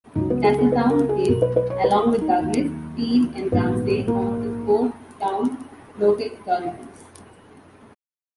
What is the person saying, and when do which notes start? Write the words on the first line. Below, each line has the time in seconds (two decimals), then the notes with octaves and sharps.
Castletown is, along with Douglas, Peel and Ramsey, one of four town local authorities.
0.15 C#2 C#3 F#3 D#4
0.30 B3
0.44 G#4
0.59 G#4
0.72 B4
0.90 A#4
1.09 G#4
1.28 B1 B2 F#3 A#4
1.42 B4
1.56 B4
1.70 C#5
1.84 B4
2.02 A#4
2.21 D#4
2.40 D#2 D#3 F#3
3.52 A#1 G#2 D#3 F#3 B3
4.08 A#3